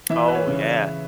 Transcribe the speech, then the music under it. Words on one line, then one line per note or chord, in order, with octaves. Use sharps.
Oh, yeah.
E3 E5
B4
C#5
C#3